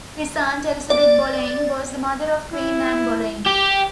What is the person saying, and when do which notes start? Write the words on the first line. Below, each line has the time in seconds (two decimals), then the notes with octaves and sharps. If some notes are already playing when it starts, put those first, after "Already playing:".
His aunt, Elizabeth Boleyn, was the mother of Queen Anne Boleyn.
0.90 D5
2.51 E4
3.46 G4